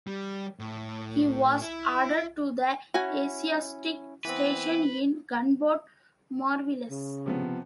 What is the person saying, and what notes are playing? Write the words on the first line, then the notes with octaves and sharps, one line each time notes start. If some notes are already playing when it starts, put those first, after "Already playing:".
He was ordered to the Asiatic Station in gunboat "Mariveles".
G3
A2
E4
C#4 E4 F#4 G#5
E3 B3 C4 B4
C#3
C3 F3 B3